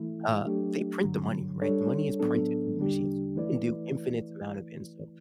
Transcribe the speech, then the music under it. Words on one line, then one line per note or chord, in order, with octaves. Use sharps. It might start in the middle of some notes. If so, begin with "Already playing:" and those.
uh, they print the money, right? The money is printed from machines, so they can do infinites amount of it, and so
Already playing: E3 A3 E4
F#3 A3 D4 G4
G2 D3 F#3
G3 D4 A4 C#5
A2 F#3 B3 D4 A4
E2 D3 G3 D4 G4
E3 A3 E4 B4 D5